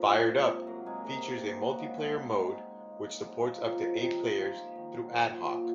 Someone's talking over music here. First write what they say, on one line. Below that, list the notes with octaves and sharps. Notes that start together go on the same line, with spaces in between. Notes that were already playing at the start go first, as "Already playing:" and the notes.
"Fired Up" features a multiplayer mode which supports up to eight players, through ad-hoc.
Already playing: F3 G#3 A#3 D#4 F4 G#4 A#4
C3
A#3
C3
F#3 A#3 A#4
C3 G#3 G#4
C3 A#3 A#4
C3
A#3
C#3
F#4
C#3 G#3 G#4
C#3 G#3 G#4
G#3 D#4
C#4
G#3 C4
C#4
G#3
C#3
A#3
F#3
A#2 F3 F4
F3 F4
A#3
A#3
C3 C4 C#4
C3 D#3 D#4
F3
F3 A#3 F4
A#3
D#3
F#3
F3
A#2
A#2